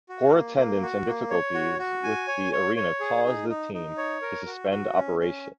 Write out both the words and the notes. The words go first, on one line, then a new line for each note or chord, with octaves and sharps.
Poor attendance and difficulties with the arena caused the team to suspend operations.
F#4
A#3
A#3
F#4
A#3
C#5
F#4
F#4
G#5
C#5
C#5
C#5
G#4
D#4
D#4
D#4
C#5
A#4
F#4
F#4
C#4
C#4